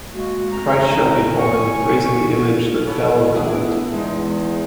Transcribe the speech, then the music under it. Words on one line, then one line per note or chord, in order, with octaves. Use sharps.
Christ shall be born, raising the image that fell of old.
G#3 A#3 F#4
F2 A3 A#5
C#5 G#5 C#6
B3 A4 C#5
B3 D4 E4 G#4
E2 G#3 D#4